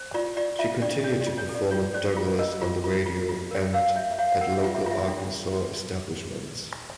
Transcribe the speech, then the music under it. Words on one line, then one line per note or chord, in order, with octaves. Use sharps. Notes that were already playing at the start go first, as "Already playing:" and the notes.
She continued to perform with Douglas on the radio and at local Arkansas establishments.
Already playing: C5
F4 D5
F4 D5
F4 E5
D4 D5
D4 C#5
D5
F4
C#5
A4
D5
F4 C#5
C5 D5
F4
A#4 D#5
F4
F4
F4
F4
A#4
A#4 F5
C#5 E5
E5
C#5 F5
A#4 F#5
E5
F4
E5
F4
E5
D4